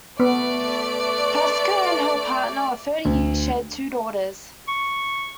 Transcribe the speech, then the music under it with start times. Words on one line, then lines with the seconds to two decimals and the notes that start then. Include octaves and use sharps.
Pascoe and her partner of thirty years shared two daughters.
0.20 A3 B3 B4 D5
3.05 D2
4.68 C#6